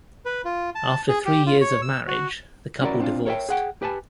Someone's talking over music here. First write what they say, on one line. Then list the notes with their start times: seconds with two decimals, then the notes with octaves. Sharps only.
After three years of marriage, the couple divorced.
0.25 B4
0.45 F4
0.75 A5
1.09 G#4
1.25 G4
1.46 F4
1.61 C#5
1.82 E6
2.07 F#4
2.82 C#4 E4 F#4 A#4 D5
3.00 C4 D4 F4
3.25 A#4 C#5 D5 E5 G5
3.49 G#4 F#5 G5
3.82 G4 B4 G#5 A5